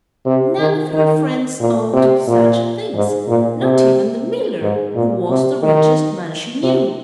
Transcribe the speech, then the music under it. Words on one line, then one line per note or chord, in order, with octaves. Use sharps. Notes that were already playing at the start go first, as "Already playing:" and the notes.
None of her friends owned such things, not even the miller, who was the richest man she knew.
C3
D#3
D#3
A#2
C3
A#2
G#2
A#2
C3
G#2
A#2
C3
D#3
C3